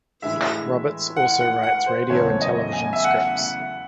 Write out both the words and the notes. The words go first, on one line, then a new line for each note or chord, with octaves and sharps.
Roberts also writes radio and television scripts.
A2 E3 G#3 E5
F#5
F#5
F#5
C5
E2 C#3 F#3 A3 C#5
D#5
G#5
E5
F#5